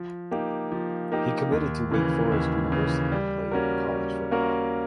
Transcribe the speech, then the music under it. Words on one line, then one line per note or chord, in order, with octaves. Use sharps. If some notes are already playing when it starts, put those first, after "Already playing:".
He committed to Wake Forest University to play college football.
Already playing: F3
A#3 D#4 G4
F3
A#3 D#4 G4
D#2
C#3 E3
D#2
C#3 E3
G3
A#3 C#4 F#4 A#4
G3
A#3 C#4 F#4 A#4